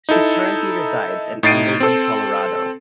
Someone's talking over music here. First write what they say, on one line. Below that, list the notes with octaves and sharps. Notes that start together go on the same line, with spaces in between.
She currently resides in Englewood, Colorado.
D#4 E4 A4
A2 D#4 A6 C7 D7 D#7
C4 A4